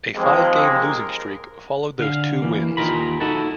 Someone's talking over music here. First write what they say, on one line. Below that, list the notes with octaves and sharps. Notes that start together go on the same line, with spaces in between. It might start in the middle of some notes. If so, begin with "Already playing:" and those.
A five-game losing streak followed those two wins.
D#2 F3 G#3 C4
A#4
D3 F5
E3 A#3
D#2 D#4 F4 A#4 B5
D#4 E4 F#4 A4